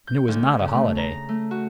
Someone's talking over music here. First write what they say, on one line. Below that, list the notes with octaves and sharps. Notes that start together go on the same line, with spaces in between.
And it was not a holiday.
G6
D2
C#3
A3
A#5
A3
F#4